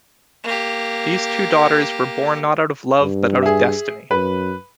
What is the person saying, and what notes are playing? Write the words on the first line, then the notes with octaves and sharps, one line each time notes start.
These two daughters were born not out of love but out of destiny.
A#3 G4
G2
G#4 E5
F#2 B4